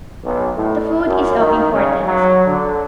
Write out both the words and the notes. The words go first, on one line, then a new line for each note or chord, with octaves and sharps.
The food is of importance.
B1
A2
F#2
D#3
C#3
F#3
D3